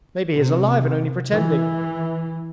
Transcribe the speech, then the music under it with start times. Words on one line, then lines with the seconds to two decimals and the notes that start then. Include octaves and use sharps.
Maybe he is alive and only pretending!
0.35 C3
1.33 E3